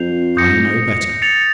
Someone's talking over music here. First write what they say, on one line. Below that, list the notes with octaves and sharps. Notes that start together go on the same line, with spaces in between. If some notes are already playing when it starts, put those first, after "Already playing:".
I know better.
Already playing: F2 G6 C7 F7
D#6 G6 A#6 C#7
A6 C#7 F7